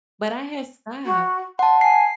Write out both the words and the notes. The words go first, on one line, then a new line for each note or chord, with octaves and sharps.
But I had stop.
F#4
F#5 A5 C6
G#5 C7